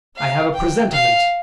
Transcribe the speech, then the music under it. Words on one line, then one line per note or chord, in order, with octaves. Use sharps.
I have a presentiment.
F5
G5
F5